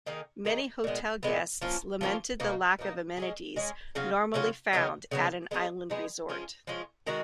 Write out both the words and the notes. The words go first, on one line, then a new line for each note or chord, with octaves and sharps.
Many hotel guests lamented the lack of amenities normally found at an island resort.
D#3 A#3 D#4 G#4
D#3 A#3 D#4 G#4
A#2 G#3 B3
A#2 G#3 B3
F3 A#3 C#4 F4
F3 A#3 C#4 F4
B2 A#3 D#4
B2 A#3 D#4
G#3 C#4 G#4
G#3 C#4 G#4
C#3 F#3 C#4 F4
C#3 F#3 C#4 F4
C#3 F#3 B3 D#4
C#3 F#3 B3 D#4
G#3 B3 D#4 G#4
G#3 B3 D#4 G#4
F3 G#3 C#4 F4
F3 G#3 C#4 F4
D#3 G#3 D#4 F#4